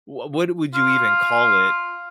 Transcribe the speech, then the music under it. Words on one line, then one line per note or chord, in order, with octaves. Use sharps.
wha what would you even call it?
F4